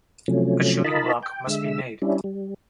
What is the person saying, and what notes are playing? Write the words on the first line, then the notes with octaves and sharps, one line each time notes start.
A shooting-block must be made.
C3 F3 F#3 A3 C#4
D#4 F4 A#4 D#5 A5 B5
G5
D3 G#3 E5 E6
G3 C#4 D4 E4
G3